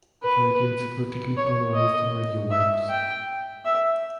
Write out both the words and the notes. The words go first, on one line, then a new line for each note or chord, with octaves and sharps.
It radiates vertically polarized radio waves.
B4
C#5
D#5
E5
G5
E5